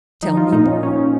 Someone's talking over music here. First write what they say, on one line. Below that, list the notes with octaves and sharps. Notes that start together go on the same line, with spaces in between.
Tell me more.
F3 D#4
F3 F4
A#2 D#4
A#2 C#4
F3 C#4
F3